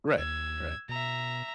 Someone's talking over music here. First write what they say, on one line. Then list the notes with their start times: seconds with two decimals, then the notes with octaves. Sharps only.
Right, right.
0.19 D#2 E6 G#6
0.89 B2 E5 A#5